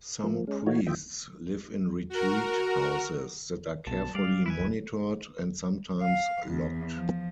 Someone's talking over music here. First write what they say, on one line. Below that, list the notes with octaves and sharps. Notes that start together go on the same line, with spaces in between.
Some priests live in retreat houses that are carefully monitored and sometimes locked.
F3 A#3
G#3 C#4
E3 A3 D#4 F4 F#4 C#5
D#3 F3 F4 D#5 E5 G5
F#4 A#4
B1 B2 A5
G3 D5 F5
E4 B4 G#5
G1 D#2
F5
E2
F3